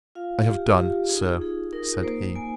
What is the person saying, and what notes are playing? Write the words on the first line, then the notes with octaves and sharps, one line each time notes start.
I have done, Sir, said he.
F4 F5
F4 G4
F4 G4
D#4 G#4
D#4 G#4
D#4 A#4
A#3 C5
A#3 G#5